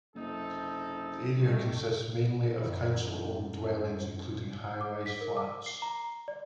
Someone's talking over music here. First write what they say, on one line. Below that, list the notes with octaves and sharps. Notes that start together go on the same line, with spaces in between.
The area consists mainly of council owned dwellings including high rise flats.
F#1 C3 D#4 A4
D#3 G3 A3
F#2 D#3 E4
D6
B6
A#4
D6
C7
A#5
D5